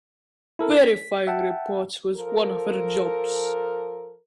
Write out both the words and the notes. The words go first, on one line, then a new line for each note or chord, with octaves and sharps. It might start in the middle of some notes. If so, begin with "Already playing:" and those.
Verifying reports was one of her jobs.
E4 A4 A#4
B6
E5 F#5 G5 A5
F3 A4 A#4